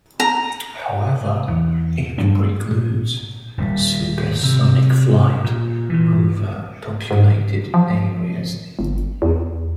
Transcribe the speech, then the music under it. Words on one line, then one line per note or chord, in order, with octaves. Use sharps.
However, it precludes supersonic flight over populated areas.
A#5
E2
G2 F#3 G3 D4
A#2
D#1 G3
C3
A#2
A#2 E3
G#2
F3
G1
E2